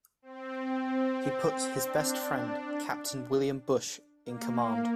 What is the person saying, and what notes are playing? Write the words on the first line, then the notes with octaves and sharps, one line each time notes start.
He puts his best friend, Captain William Bush, in command.
C4
D4
A#3